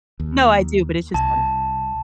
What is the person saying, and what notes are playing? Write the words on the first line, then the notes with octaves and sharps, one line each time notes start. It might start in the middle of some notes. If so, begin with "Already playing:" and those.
No, I do, but it's just funny.
D#2
C2 A5